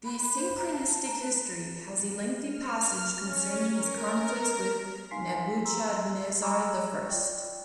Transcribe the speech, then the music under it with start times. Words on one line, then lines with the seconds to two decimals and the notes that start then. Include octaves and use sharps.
The "Synchronistic History" has a lengthy passage concerning his conflicts with Nebuchadnezzar the First.
0.05 B5
0.20 B5
0.36 C5
0.57 A#5
0.73 A5
0.88 A5
1.05 A#5
1.19 B4
2.45 F6
3.17 C#4
3.70 A#4
5.11 D#4 F5 G#5 C6 B6 C7
5.65 A#5 C6 E6
6.42 D#5 A#5 B5 C#6 D6 E6
7.11 F4 D5 G5